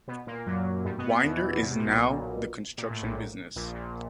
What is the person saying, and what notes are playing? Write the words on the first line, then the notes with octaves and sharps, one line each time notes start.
Winder is now in the construction business.
B2 B3
A#2 A#3
F#2 F#3
G2 G3
B2 B3
E2 E3
C3
B2
A#2
B1 B2
A#2
A2
A#1 A#2
A#1 A#2
A#1 A#2